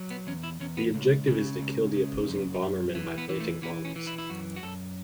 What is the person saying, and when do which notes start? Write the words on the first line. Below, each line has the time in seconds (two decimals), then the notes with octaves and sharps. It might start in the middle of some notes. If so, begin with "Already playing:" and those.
The objective is to kill the opposing Bomberman by planting bombs.
Already playing: F#3
0.10 B3
0.27 E2 C#4
0.44 E4
0.60 E2 C#4
0.77 B3
0.95 C#2
1.28 C#3
1.61 C#2
1.95 C#3
2.29 F#2
2.62 F#2
2.95 E3
3.18 B3
3.29 E3
3.40 A3
3.62 E3 B3
3.85 C#4
3.96 E3
4.07 E4
4.18 E4
4.30 F#2 F#4
4.56 F#4
4.63 F#2 A4